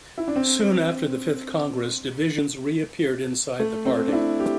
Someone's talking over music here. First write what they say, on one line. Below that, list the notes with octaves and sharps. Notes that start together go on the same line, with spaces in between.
Soon after the fifth congress, divisions reappeared inside the party.
E4
D4
C4
A3
C4
D4
E4
G4